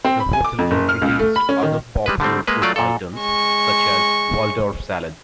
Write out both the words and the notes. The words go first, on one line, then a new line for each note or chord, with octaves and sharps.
The hotel introduced other popular food items, such as Waldorf Salad.
C4
B5
G#5
D6
F2
F#1
F6
C#2
A3
B5
C#4
D#3
G3 G#3 B4
D3 G3 A3 C4
G#3 A#3 B4
F#3 A3 F4 D5
A#2 A4
G#3 C#6